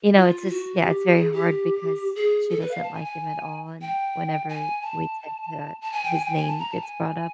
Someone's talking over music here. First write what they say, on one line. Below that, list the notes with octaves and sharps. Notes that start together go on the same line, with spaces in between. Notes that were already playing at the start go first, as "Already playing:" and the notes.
you know, it's just, yeah, it's very hard because she doesn't like him at all, and whenever we tend to his name gets brought up,
F4
F#4
G4
G#4
G4
G#4
A4
B4
F5
A5
G#5
G#5
G5
G#5
A5
A5
G#5
G5
G#5
G5
G#5
A5
A#5
A5
G#5